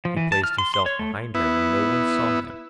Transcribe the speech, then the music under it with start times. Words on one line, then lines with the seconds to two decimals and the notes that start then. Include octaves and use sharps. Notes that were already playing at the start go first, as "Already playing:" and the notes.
He placed himself behind her, and no one saw him.
0.05 F3
0.17 E3
0.32 A5
0.44 F6
0.58 C6
0.74 C6
0.86 C#5
0.99 A3
1.35 B3 E4